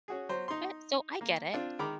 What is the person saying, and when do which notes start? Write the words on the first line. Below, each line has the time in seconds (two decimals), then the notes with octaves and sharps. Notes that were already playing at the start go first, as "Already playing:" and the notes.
eh, so I get it,
0.08 C#4 F#4 G#4
0.29 F#3 C5
0.48 D#4 C6
1.21 A#3
1.53 C4 D4 F4
1.79 D#3 G#3 A#4 B5 D6